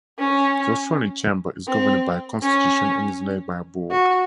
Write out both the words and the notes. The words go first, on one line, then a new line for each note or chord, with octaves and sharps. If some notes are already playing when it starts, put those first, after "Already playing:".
The Australian Chamber is governed by a constitution and is led by a Board.
C#4
C4
C#4
F#4